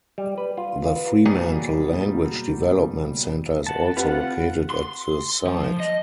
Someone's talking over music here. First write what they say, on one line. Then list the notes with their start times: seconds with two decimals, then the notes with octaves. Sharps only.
The Fremantle Language Development Centre is also located at the site.
0.18 G3
0.38 B4
0.57 F4
0.84 F4
0.96 B4
1.26 B2 F#3 G3 A#3 G#4
3.67 F#5 A5
3.97 C4 F4 G4 B4 F#5
4.70 C6
5.47 F3
5.80 D#5